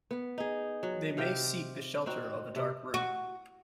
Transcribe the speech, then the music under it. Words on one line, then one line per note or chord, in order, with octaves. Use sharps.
They may seek the shelter of a dark room.
B3
D#4 G#4
F#3
C3 F5 G5
C4 D#4 F#4
C3
F#4